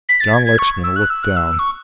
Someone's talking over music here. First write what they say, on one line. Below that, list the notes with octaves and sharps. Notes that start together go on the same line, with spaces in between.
John Lexman looked down.
B6
A6
G#6
G#6
C#6
E6
F#6
E6
F#6
E6
C#6